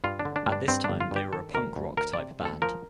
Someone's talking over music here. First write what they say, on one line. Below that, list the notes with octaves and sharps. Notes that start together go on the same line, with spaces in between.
At this time they were a punk rock type band.
G2 F4
D4
D3
D4
G2
D4
G2 C4
D4
G1
F4
G2 G4
D#3 A4
D2 A#4
D2
D2 A#4
D5
C3
D2 A4
F3 A#4